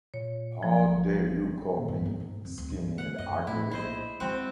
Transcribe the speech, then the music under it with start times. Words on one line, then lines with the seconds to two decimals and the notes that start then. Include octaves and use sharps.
How dare you call me skinny and ugly?
0.14 A#2 C#5
0.63 F3 F#3
0.78 G#1
1.77 A#2
1.88 G2
2.06 D#4
2.20 G#2
2.45 F2
2.58 D2
2.70 G#2
2.98 F#5
3.18 F#2 D#5
3.47 A2 E4
3.71 A#1 E4 C5 D#5
4.20 F#3 G#3 C4 F#4